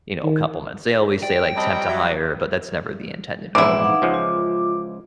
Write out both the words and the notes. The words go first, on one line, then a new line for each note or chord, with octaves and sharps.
you know, a couple months. They always say, like, "temp-to-hire," but that's never the intended goal
D#3
D5 G5
F#3 G3 C4 C#4 D#5 A5 B5
F#3 E5
A#1 E2 G#2 E3 E4 C5 D6
D#4 F5 F#5
C#2 F3 G#3
F4